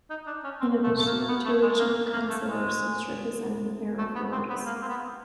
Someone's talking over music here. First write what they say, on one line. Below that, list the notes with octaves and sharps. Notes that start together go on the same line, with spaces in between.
In addition, two regional councillors each represent a pair of wards.
D#4
D4
C#4
C4
A3
A3
A#3
B3
A3
G#3
A#3
A#3
A3
G#3
A3
B3
C4
B3
A#3
C4
B3